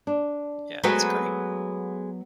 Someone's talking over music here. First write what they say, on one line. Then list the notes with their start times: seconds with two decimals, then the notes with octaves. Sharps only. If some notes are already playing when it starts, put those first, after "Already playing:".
yeah, that's great.
0.07 D4
0.84 F#3 G#3 A3 B3 F#4 B4